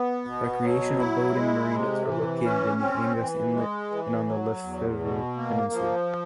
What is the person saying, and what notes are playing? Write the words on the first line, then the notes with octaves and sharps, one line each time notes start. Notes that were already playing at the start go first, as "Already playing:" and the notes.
Recreational boating marinas are located in the Angas Inlet and on the Lefevre Peninsul.
Already playing: B3
B2
F#3
E4
G#3
C3
E3
C#4
C4
E3
G#3
E3
F#3
E2
B2
A#3
F3